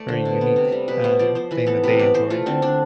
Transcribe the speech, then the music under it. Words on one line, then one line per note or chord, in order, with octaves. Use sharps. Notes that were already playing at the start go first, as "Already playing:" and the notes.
very unique, um, thing that they enjoy.
Already playing: A3 D5
D3 C5
B2
B3
C3
G3
B2 B4
B3 C5
F3 D5
F3 C5
E3 B4
B3 A4
C3 B4
B3 D5
E3 C5
A3 F4
D3 C4
D3 D4